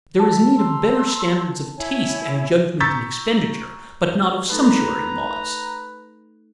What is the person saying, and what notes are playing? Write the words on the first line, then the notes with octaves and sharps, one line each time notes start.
There is need of better standards of taste and judgment in expenditure, but not of sumptuary laws.
F#4 A4 A5
A#5 C6 E6
E4 C#5 G#5
A#5 C#6 E6 G6 A6 B6
A3 D#4 A4 B4 A#5